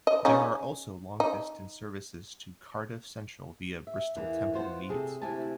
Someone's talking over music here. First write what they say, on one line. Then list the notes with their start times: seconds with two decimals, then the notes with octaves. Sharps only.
There are also long-distance services to Cardiff Central via Bristol Temple Meads.
0.07 D#5
0.25 C#3 C#4 D#4
1.20 D#4
3.87 E5
4.15 E2 E3 A#3
4.53 B3 F4 F#4 C5
4.89 C3 G#4 A4
5.21 D2 C3 E4 G4 G#5 A5